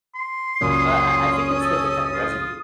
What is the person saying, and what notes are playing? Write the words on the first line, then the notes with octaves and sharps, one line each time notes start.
Uh, I I think it's to detect residue,
C6
C#2 F#2 A#2 C#4 D#6
A4
F4